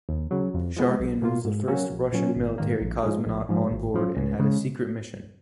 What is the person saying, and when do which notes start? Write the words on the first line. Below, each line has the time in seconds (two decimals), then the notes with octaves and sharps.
Shargin was the first Russian military cosmonaut on board and had a secret mission.
0.09 D#2
0.31 C#3 F#3
0.54 F2
0.77 F3 G#3 B3
1.00 B1
1.22 B2 A#3 F4
1.45 G#2
1.67 F#3 A#3 C#4 F#4
1.90 A#1
2.12 A#2 F#3 C#4
2.36 G#1
2.58 G#2 D#3 A#3
2.81 A#1
3.03 G#2 F3 G#3
3.26 A#1
3.49 G#2 F3
3.71 G#1
3.94 F#2 F3
4.16 C#2
4.39 C#3 G#3